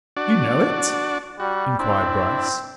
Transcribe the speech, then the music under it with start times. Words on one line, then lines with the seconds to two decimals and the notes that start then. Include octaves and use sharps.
"You know it?" inquired Bryce.
0.17 D4 F#4 D5
1.39 G3 F#4
1.80 C4 D4 E4